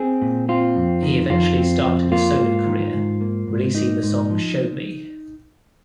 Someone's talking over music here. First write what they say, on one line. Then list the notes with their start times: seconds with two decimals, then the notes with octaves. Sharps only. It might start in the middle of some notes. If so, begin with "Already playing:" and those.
He eventually started a solo career, releasing the song "Show Me".
Already playing: C4 G#4
0.22 A#2
0.49 C4 F4
0.76 F2
1.03 D#3
1.30 F2 F4
1.58 C4
1.84 F2
2.12 A#3 F4
2.40 G#2
2.66 D#3
2.93 G#2
3.21 A#3
3.47 G#2
3.75 A#3 D#4
4.03 G#2
4.30 F3